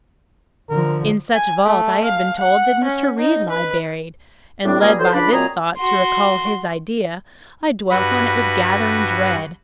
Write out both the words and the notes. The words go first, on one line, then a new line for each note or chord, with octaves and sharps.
In such vault I had been told did Mr. Reed lie buried; and led by this thought to recall his idea, I dwelt on it with gathering dread.
D3 F3 A#4
G#5
A3
F5
F#5
C#4
D#4
B4
A2 G3 C4 D4
C#2 G3 A#3 G#4 A#5 F6
E3 F#3 A4 C5
C#2 D4 B5
A#2 F#3 C4 G#4 D#5 A#5
F#4 C6
G2 F#4 B4 B5